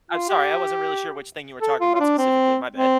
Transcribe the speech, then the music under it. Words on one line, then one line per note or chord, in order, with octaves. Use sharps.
I'm sorry, I wasn't really sure which thing you were talking about specifically, my bad.
F4
G4
A4
F4
F4
D4
C4
C4